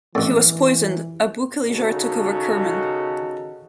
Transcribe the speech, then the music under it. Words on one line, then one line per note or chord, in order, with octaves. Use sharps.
He was poisoned; Abu Kalijar took over Kerman.
A1 A2 E3
C#3 D#4 F#4 A4